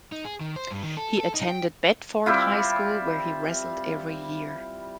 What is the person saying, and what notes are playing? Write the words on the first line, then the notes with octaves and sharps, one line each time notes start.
He attended Bedford High School where he wrestled every year.
D#4
G#4
D#3
C5
G2
D#3
A4
A4
D#4
G5
G3 C4 E4 F4